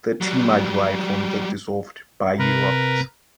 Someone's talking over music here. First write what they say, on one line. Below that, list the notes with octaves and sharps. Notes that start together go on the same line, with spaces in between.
The team are derived from the dissolved Bayi Rockets.
F#3 G3
C3 A#4 B4